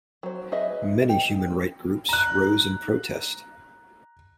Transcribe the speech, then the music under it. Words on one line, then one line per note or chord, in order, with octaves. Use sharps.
Many human right groups rose in protest.
F#3 C5
G#4 B4 D#5 E5
G5
A#5 F#6